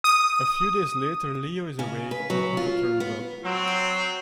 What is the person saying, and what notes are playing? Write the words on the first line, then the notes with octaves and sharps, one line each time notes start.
A few days later, Leo is away, and Otto turns up.
D#6
C#3
B4
F#3
F4
B3
F#3 C4